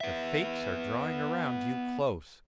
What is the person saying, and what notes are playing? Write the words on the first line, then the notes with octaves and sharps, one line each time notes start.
The fates are drawing around you close.
B3 E5